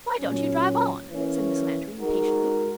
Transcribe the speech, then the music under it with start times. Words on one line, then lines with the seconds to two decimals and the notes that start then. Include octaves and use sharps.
"Why don't you drive on?" said Miss Lantry, impatiently.
0.18 A#2 F#3 C#4
1.08 E3 A#3 C#4
1.96 G#3 D#4 F#4 A#4